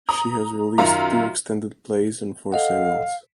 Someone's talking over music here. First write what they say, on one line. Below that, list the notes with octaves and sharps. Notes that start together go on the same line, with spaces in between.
She has released two extended plays and four singles.
A#5 D#6
F#2 D#3 F4 E5 A#5
A4 D#5 F5 F#5